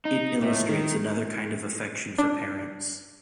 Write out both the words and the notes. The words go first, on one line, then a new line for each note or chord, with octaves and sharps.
It illustrates another kind of affection for parents.
D#4
A2
D#3
D4